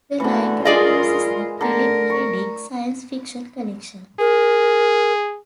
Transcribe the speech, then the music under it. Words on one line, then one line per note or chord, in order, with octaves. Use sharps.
The library houses the Philip K. Dick science fiction collection.
D3 E3 A3 F#4
G#3 F4 G#4 A#4 D5 D#5
D3 A3 A#4 A#5
C#6
G#4 A#4